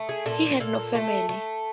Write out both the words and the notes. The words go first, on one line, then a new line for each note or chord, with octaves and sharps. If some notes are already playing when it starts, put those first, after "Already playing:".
He had no family.
Already playing: A3
G#4
A#2 A4
A#2 A4
A3
A3